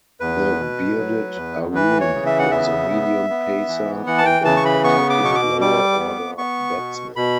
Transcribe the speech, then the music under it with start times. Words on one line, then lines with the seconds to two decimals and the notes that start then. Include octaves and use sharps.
The bearded Arun was a medium pacer and an attacking lower order batsman.
0.20 E2 B4
0.60 B2
0.97 F#3
1.36 E2
1.75 E3 B4
2.01 C#5
2.14 C#3
2.26 E5
2.39 F#5
2.51 B3 E5
2.90 B3
3.30 B3
3.68 E3
4.07 E3 F#5
4.18 A5
4.25 G5
4.45 C#3 A5
4.57 C#6
4.65 B5
4.84 B3 C#6
5.10 D6
5.23 B2 C#6
5.35 D6
5.60 G3 D6
6.00 B3
6.38 B3 C#6
6.77 B2
7.16 B2 B5